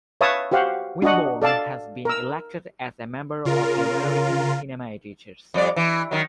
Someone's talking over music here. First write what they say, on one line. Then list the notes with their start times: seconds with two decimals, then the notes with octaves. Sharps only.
Winborne has been elected as a member of the American Cinema Editors.
0.21 B4 C#5 E5 F5 A5 D#6
0.52 F#4 G4 C5 F5 F#5
1.02 D4 F#4 D#5 F#5
1.42 A4 D5 F5 A5
2.05 A#4 E6
3.45 C#3 F4 A#4
5.54 F2 G3 D5
5.76 E3
6.11 D#3 F#3